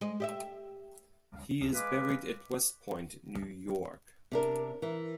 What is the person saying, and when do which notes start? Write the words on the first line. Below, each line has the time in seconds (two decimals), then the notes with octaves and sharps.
He is buried at West Point, New York.
0.01 G#3 D#5
0.20 G4 D#5 E5
1.74 G#3 B4 F5 D6
4.32 C3 D4 A#4
4.82 E3 A#4